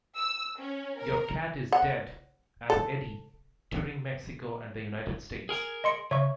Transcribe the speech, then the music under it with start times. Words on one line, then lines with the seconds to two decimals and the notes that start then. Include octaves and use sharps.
Your Cat Is Dead as Eddie, touring Mexico and the United States.
0.15 E6
0.57 C#4
0.97 A#4
1.72 F#5
2.70 A4
5.49 G#4 A#4 G#5
5.84 D#5 C6 C#7
6.11 C#3 C#5 E5 C#6